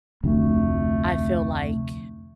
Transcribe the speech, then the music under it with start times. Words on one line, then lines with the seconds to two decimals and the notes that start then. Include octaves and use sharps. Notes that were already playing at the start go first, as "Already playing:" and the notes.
I feel like
0.24 F1 D2 A3